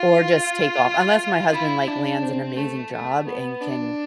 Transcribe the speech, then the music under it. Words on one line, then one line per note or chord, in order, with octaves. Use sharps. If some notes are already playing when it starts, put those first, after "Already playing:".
or just take off. Unless my husband, like, lands an amazing job and can
Already playing: F4
E4
D4
C4
A3
A3
B3
D4